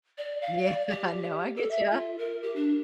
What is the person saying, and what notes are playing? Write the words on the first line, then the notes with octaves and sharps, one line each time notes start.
Yeah, no, I get ya,
D5
F5
D5
G4
A4
E5
F4
A#4
G4
D4